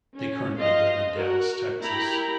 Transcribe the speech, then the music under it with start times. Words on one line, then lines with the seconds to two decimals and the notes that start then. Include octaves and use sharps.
They currently live in Dallas, Texas.
0.16 C#4
0.59 F3 D#5 F5 C6
1.15 F#4 A#4
1.81 E4 G4 A#4 G5 A#5 B5